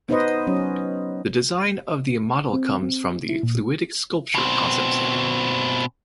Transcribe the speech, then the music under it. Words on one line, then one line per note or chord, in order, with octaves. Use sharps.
The design of the model comes from the Fluidic Sculpture concept study.
B3 D#4 B4 C5 D#5
F#3 C#4
C4
C4
E4
A#2
B2 C4